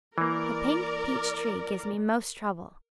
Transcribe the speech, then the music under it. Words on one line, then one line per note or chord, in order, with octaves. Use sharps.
The pink peach tree gives me most trouble.
E3 A#3 A#4 D5